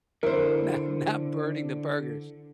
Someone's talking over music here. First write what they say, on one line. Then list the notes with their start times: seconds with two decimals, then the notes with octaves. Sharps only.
not not burning the burgers.
0.23 D3 E4 A#4 C5